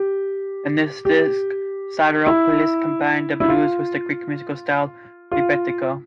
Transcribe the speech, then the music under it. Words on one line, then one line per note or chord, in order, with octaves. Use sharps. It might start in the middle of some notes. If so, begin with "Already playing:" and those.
In this disc, Sidiropoulos combined the blues with the Greek musical style rebetiko.
Already playing: G4
G4
E4
E4
F4
F4